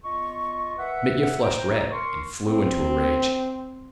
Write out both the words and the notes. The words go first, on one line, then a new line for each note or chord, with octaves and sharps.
Mitya flushed red and flew into a rage.
E2 F4 D#5 C#6
A#4 B4 E5 F#5
C5 G5 A#5
A#4 C6 C#6
C4